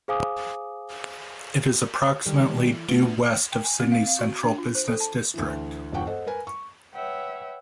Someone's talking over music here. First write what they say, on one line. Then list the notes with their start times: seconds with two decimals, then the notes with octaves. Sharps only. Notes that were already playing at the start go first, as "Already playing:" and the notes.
It is approximately due west of Sydney's central business district.
0.08 G#4 C5 F5 G#5 D6 D#6
2.26 D#3 G3 A4
2.72 E3
2.89 A3 B3 D4 F4 F5
3.52 G5
3.64 G#5
3.80 C4
3.92 F5
4.07 F5
4.19 F#4
4.43 D4
4.58 F4
4.75 C5
4.88 A4
5.00 A5
5.34 D2 E3
5.92 E1 G2 F4 F#5 G5 C#6
6.07 A4 C5 D#5 F#5
6.27 A#4 B4 G#5
6.47 C#6
6.93 B4 C#5 E5 F#5 G5